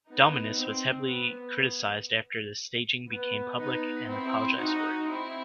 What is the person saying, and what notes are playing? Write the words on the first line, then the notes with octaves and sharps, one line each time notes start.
Dominis was heavily criticized after the staging became public and apologized for it.
B3 D#4
C4
B3
B3
B3 D#4
C4 E4
D#4 F#4
C4 E4